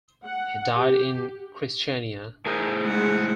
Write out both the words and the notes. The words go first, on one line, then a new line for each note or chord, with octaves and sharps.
He died in Christiania.
F#5
G4
A2 G#4 A#4 C5
G#3 F#5